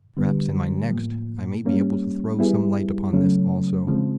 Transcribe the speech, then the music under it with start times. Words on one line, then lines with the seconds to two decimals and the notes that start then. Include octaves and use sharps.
Perhaps in my next I may be able to throw some light upon this also.
0.17 D3 G3 B3
0.91 A2 F3 A#3
1.65 G3 A#3 C#4
2.39 G3 B3 E4 G#4
3.13 C#3 F#3 A3 C#4
3.87 C#3 F3 G#3 C4